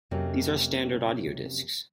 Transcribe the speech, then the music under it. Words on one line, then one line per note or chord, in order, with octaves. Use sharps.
These are standard audio discs.
F2 C3 F#3 A#3 C#4